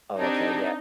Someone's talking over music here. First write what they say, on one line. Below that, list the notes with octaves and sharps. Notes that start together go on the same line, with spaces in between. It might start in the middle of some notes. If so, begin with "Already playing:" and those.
Oh, okay, yeah,
C4 D4 D#4 G4 A5 G#6